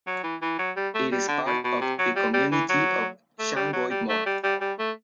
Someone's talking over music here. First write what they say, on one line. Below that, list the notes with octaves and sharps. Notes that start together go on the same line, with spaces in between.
It is part of the Community of Llangoedmor.
F#3
E3
E3
F#3
G3
A3
G3
D3
B2
B2
C3
F#3
G3
G3
E3
F#3
A3
G3
F#3
G3
A3
G3
G3
G3
A3